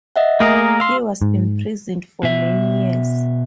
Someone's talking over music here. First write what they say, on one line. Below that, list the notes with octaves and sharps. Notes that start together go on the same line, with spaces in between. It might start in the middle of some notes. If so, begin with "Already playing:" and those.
He was imprisoned for many years.
D#5 E5 F#5
A3 A#3 G#4 A#4 D#6 A#6
F5 C6 E6
G#2
B2 E5